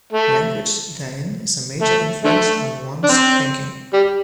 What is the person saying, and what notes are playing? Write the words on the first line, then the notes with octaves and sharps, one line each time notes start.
Language therein is a major influence on ones thinking.
A3
A3
D3 A3
D4
C4
G3